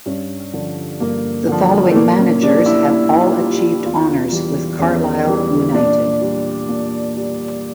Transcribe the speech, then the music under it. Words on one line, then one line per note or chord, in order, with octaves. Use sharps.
The following managers have all achieved honours with Carlisle United.
G2 C#4
D3 F3
G2 A#3
D3 F3
A3
A#2 A#3
C#4
G3 D4
E4
A#2 E4
F4
G3
G4
E2 F4
E3 G3
E2 C#4
E3 G3
A#2 D4
G3
A#2
G3